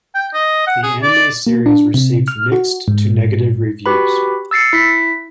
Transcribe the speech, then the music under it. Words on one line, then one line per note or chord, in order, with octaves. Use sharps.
The anime series received mixed to negative reviews.
G5
D#5
F#5
G#4
D5
A#3
D4
C3
F6
F#4
G#2
F#4 G4 B4 B5
E6 A6 C7 C#7
E4 B6